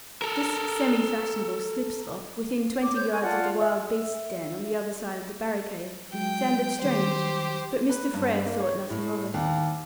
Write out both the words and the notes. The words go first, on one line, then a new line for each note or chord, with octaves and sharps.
This semi-fashionable slip-slop, within twenty yards of the wild beasts' den, on the other side of the barricade, sounded strange; but Mr. Frere thought nothing of it.
A4 A#4
D6
C5 C#5 G6
A4 G#5 C#6
F4 D5 F#5 A5
E5
F#3 G#3 G5
D#3 F#3 G3 G4 C5
B4
G2
A#3
C#5
A2
D#2